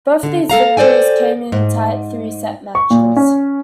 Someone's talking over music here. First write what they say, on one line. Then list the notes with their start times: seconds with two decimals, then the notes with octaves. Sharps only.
Both of these victories came in tight three-set matches.
0.23 D3
0.50 A#3 A4 F5 A#5
0.77 A4 C5 D5 G5 G#5
1.52 G#2
2.75 C#6
2.90 A#2
3.16 C#4